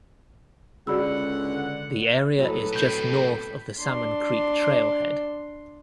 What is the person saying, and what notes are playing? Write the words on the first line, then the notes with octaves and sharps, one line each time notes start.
The area is just north of the Salmon Creek trailhead.
C#2 D3 F#4 G#4 D5 F#5 B5 E6
A2 F#3 A4 B4
B2 C4 G6 B6
D4 C6